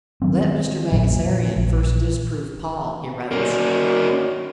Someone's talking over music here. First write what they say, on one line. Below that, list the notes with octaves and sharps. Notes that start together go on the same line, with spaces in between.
"Let Mr. Mangasarian first disprove Paul," he writes.
D#3 F#3 B3 C4
A#1 F2 A#2
F3
A#1
D#3 A#3 C#4 F#4 D5